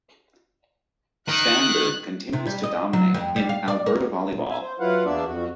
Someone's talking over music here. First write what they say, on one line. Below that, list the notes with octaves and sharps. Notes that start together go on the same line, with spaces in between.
Standard continues to dominate in Alberta Volleyball.
D#3 F#6
C3
G3
D#5
F#3
F2
G3
F5
D5
A#4
A#2
E5 G#5
C5
F#3 E4 F4 B4 F5 F#5
E2 A#3 B3 D4 D5 E5
F2 F#4